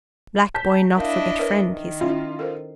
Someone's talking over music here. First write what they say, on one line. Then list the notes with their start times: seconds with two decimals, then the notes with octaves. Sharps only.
"Black boy not forget friend," he said.
0.54 A5 G6 B6
0.97 D4 E4 A#4 D#5 F5
1.39 A#4 B4 C#5
1.71 D#3
2.01 C#4 E4 F4 E5
2.39 A4 A#4 C5